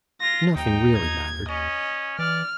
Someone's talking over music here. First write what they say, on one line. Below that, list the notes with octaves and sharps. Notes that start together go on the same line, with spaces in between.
Nothing really mattered.
F4 A#6
D#2 D#4 G5
G#6
C#4 D#5
E3 D5 F6